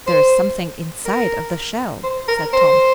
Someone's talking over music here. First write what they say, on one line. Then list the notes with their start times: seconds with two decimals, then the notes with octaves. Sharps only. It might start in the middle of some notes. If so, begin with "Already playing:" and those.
"There is something inside of the shell," said Tom.
0.07 C5
1.05 A#4
2.04 C5
2.28 A#4
2.53 C5